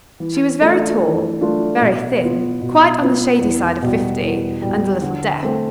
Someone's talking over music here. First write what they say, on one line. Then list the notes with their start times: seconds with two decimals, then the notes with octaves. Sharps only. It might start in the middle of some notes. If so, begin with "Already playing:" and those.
She was very tall, very thin, quite on the shady side of fifty, and a little deaf.
0.20 E3
0.61 A3 D4 F4
1.01 E3
1.41 A3 D4 F4
1.81 B2
2.21 B3 F4
2.61 B2
3.02 B3 F4
3.41 E2
3.82 B2 G3
4.22 E2
4.62 B2 G3
5.02 D3
5.43 A3 C4